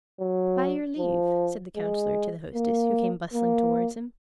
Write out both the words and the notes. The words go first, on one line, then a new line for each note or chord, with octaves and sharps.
"By your leave!" said the Councillor to the Hostess, who came bustling towards him.
F#3
F3
G#3
A#3
A#3